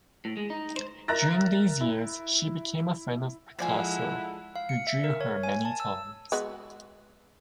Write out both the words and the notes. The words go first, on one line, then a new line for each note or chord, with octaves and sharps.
During these years she became a friend of Picasso, who drew her many times.
A2
G#3
D#4
C5
A#4 E5 A#5 F#6 A6 A#6
E4
F3 G#3 E4 A4 C5 D5 F#5 G#5
F5
C#7
E5
A#4
C#5
G#5
A5
E6
G#3 B3 F#4